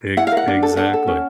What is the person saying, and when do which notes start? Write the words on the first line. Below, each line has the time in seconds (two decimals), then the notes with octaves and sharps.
Ex exactly.
0.17 E4 F#5
0.27 F5
0.32 A#4 F#5
0.48 D4
0.63 A4
0.77 D4 F#5
0.93 A4
1.07 C#4